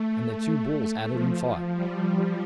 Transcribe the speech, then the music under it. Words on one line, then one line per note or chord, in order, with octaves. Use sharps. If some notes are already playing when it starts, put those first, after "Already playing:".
And the two bulls at it and fought.
Already playing: A3
F3
G3